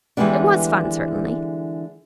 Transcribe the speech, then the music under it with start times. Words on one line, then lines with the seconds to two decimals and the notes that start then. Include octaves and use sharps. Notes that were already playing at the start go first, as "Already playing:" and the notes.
It was fun, certainly.
0.17 D3 E3 G3 G#3 B3 D4